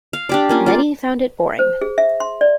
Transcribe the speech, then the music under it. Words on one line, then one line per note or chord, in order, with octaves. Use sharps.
Many found it boring.
F5
D4 G4 D5
A#3 C#4 F4
F4 D5
C5
G#4
E5
C6
D5